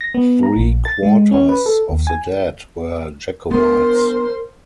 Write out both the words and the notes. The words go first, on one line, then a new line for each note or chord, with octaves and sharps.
Three-quarters of the dead were Jacobites.
A#6
B3
A#5
A#1
A6
G#3
C#4
B4
A4
D#2
G#5
B3 D4 A#4 C5